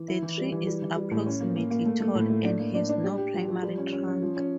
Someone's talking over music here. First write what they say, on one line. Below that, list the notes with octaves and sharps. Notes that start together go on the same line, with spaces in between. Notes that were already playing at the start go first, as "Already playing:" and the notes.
The tree is approximately tall and has no primary trunk.
Already playing: E3
E4
E3
G3
E3
G3
E3
G3
A2
C#4
A#3
A#3
A#3
A3
A3
A2
A3
D4
A#3
D4
D4
G4
G4
F3
F3
G3
C#4
C#4
C#4
F3
C#4